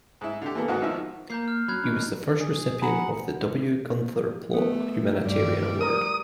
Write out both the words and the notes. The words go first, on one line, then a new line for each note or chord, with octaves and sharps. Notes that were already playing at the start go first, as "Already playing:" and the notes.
He was the first recipient of the W. Gunther Plaut Humanitarian Award.
G#2 E4
D3 G4
E3 A#3 B3 A4
G#2 D#3 B3 D#4 F#4
G#1 D#3 F3 E5
A#3 A#4 A#5 G6 C7
F6
F#3 C#4 B5 F#6 G#6
C#4 D#4
G#4
F#5 G#5 A#5 B5
A3 B3
G2 G3 A3 D5
A#4 A#5 D#6